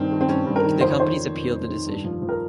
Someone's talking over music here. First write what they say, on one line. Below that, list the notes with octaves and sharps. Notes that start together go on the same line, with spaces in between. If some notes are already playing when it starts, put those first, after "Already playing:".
The companies appealled the decision.
Already playing: G2 D#3 C4
D#3
C4
G2 C#4
G2
A#4
D#3
F2 C5
C#5
D#3 C5
D#3
F2
F2
D#3
G2
F3
F3
A#4